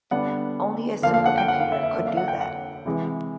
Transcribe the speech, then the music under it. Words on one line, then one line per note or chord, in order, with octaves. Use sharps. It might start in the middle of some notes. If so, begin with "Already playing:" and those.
Only a supercomputer could do that.
D3 G3 B3 D4 F#5
D3 F3 A#3 F5
F5
F#5
G5
F#5
F5
E5
E5
D3 F#3 A#3 D4 E5
F5
F#5
G5
F#5
C3 E3 G#3